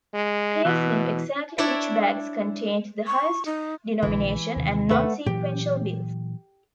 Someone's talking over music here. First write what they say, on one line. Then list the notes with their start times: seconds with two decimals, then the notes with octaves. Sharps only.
Pace knew exactly which bags contained the highest denomination and non-sequential bills.
0.14 G#3
0.65 B2 E3
1.58 D4 E4 C#5 D5 E5
3.07 C#6
3.46 D#4
4.03 A#1 D3 E3
4.56 D#2 C3 D#3
4.89 A3 B4 F#5
5.26 A#2 E3 F#3 G4